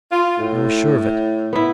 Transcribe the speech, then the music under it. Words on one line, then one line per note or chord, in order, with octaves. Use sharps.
I was sure of it.
F4
A2
B3 E4